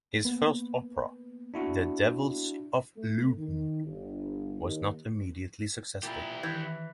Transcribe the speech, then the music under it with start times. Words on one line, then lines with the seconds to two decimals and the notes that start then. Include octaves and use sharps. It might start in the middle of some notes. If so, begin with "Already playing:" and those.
His first opera, "The Devils of Loudun", was not immediately successful.
0.25 A#3 B3 B4
1.54 D4 E4 F#4
2.97 A3
3.38 D#3
3.85 G1
4.63 D#2
6.03 A#2 E4 G4
6.43 D#3 E3 G6 G#6